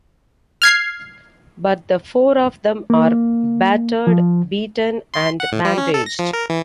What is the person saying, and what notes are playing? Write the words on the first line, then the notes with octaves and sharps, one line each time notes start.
But the four of them are battered, beaten and bandaged.
F6 G#6 C7
A#3
F3
C6
F#5
A2
G3
C#4
A4
A#6
F3
A#4
E3